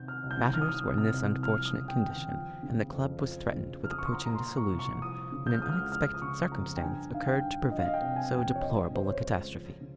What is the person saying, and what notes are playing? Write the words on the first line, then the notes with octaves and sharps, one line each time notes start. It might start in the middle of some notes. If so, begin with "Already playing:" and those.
Matters were in this unfortunate condition, and the club was threatened with approaching dissolution, when an unexpected circumstance occurred to prevent so deplorable a catastrophe.
Already playing: C3 D#3 G6
F6
C2
G6
D#3 F6
D#6
F6
C3
F6
C2
F3 F6
D#6
C#3
G5
D#2
G5
F3
C#3
F2
F3
C#3
F2 F6
D#6
C#6
C6
F3 A#5
A#5
C6
A#2
C#6
C2
C#6
F3 D#6
C#3
G6
F6
C#2 D#6
F6
F3 F6
D#6
C#3 C#6
F2 A#5
G5
G2 G#5
D#3 F5
G5
G2
F3 D#5
F5
D#5
G5
C3
G#5
F2
G5
C#5
F3 D#5
C#3 C5
C#5
C#2
F3
C#3